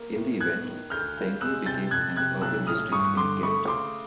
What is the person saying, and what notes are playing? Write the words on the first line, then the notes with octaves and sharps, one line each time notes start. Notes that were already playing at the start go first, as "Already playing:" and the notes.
In the event, Penge became an urban district in Kent.
Already playing: A#3
A2
B3 F#6 G#6
D#3
D2 F6 G6
C#3
G#3 E6 F#6
C3 G6 A6
F2 F#6 G#6
C3 F#6 G#6
B1 E6 F#6
A2 D#6 F6
G2 C#6 D#6
D3 C6 D6
A3 B5 C#6
C#3 C6 D6